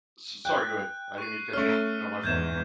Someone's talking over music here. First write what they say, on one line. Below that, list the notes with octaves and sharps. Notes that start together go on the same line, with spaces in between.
s sorry, go ahead. I didn't mean to cut you off. No, my fault.
G5 F#6
C#6 C7
A3 C#4 F6
E2 G#2 G6 G#6 E7